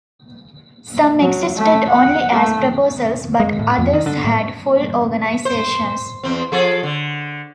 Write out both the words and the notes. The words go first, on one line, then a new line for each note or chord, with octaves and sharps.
Some existed only as proposals, but others had full organizations.
F#3
A3
F#5
A3
G#3
A2
F2
D#3
D3
A2
C5
E2 C4
F3 G#4 A4
D3